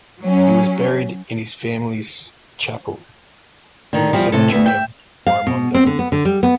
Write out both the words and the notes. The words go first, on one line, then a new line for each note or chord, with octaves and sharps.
He was buried in his family's chapel in the cemetery of Morimondo.
F#3 C#4
D3 D#3
E2 F3 G3
A2 C3 A4
D2 B3 E5
E5 G5
F5
B2
C4
D3
B3
D3
G3
B3